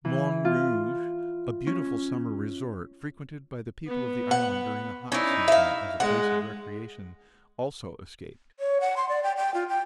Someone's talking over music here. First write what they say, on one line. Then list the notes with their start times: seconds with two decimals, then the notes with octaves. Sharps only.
Morne Rouge, a beautiful summer resort, frequented by the people of the island during the hot season as a place of recreation, also escaped.
0.05 E3
0.45 F4
1.67 C#4
3.87 B3
4.31 F#5
5.12 C#4 D#4 E4 D5
5.48 E5 F5
6.00 G#3 F#5
8.60 C#5
8.81 F#5
8.97 C6
9.09 D5
9.23 G5
9.37 G5
9.54 F4
9.69 G5